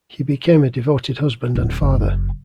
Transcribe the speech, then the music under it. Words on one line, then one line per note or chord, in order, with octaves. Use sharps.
He became a devoted husband and father.
D1
F#1